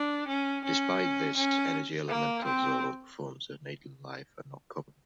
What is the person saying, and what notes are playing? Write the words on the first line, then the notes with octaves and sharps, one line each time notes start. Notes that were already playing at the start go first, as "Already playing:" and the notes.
Despite this, energy elementals or other forms of native life are not common.
Already playing: D4
C#4
C#4
C#4
A#3
C4